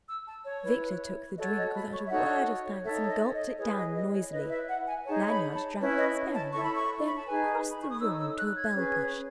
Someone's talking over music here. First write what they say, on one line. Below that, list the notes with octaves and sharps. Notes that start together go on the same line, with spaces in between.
Victor took the drink without a word of thanks and gulped it down noisily. Lanyard drank sparingly, then crossed the room to a bell-push.
E6
A5
C#5
E4 B4
F#4 A4 C#5 D#5
D#5
B5
C#6
E5
D#4 F#4 A4 C#5 F#5
D#4 A4 C#5 E5
D#5
D#5
E4 G#4 B4 C#5
D#5
D#5
C#5
E4 B4 D#5
E5
F#5
G#5
D#4 G#4 C#5 A5
B5
A5
C#4 E4 B4
D#5
A5
E4 A4 C#5 C#6
B5
C#6
B5
A5
D#4 G#4 B4 G#5
B5
C#6
D#6
D#4 A4 C#5 E6
E6
F#6
G#6
C#4 G#4 B4